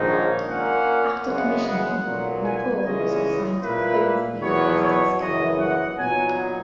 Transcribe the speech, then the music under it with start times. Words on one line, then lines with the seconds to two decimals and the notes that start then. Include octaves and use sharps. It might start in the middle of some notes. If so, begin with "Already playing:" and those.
After commissioning, "Nepal" was assigned to the Home Fleet, based at Scapa Flow.
Already playing: A#1 G#2 D#3 A#3 D#4
0.08 C#5
0.47 A#2 A#3 C#4 F#5
1.26 F#1 F#2 C#3 G#3 B3 F#5
1.65 F#5
2.05 B1 A#2 F#3
2.44 G#5
2.83 C#2 C#3 E3 G#3 C#4 D#5
3.62 A#2 A#3 E4 B4
4.41 E2 B2 F#3 B3 C#5
4.81 C#5
5.19 F#1 F#2 E3 D#5
5.59 F#5
5.98 A#2 F#3 B3 D#4 G#5